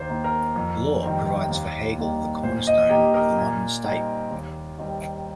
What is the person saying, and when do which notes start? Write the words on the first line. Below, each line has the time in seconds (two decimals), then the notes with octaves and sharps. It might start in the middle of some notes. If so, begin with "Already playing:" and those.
Law provides for Hegel the cornerstone of the modern state.
Already playing: D#2 C5
0.08 D#3 A#3 D#4
0.24 A#4
0.56 F2
1.02 D#3 G3 C4
1.49 D#2
1.97 D#3 G3 A#3
2.43 A#2 C5
2.67 D#5
2.89 A#3 D#4 G4
3.14 A#4
3.37 A#2
3.84 G3 C4 D#4
4.30 D#2
4.78 D#3 G3 C4